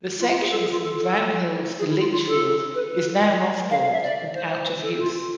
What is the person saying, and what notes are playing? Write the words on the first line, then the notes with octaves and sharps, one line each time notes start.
The section from Brownhills to Lichfield is now mothballed and out of use.
F4
F4
G#4
A4
G#4
F4
A4
A4
G#4
E4
F4
F4
A4
B4
B4
D5
F5
F5
E5
D5
C5
C5
B4
A4
F4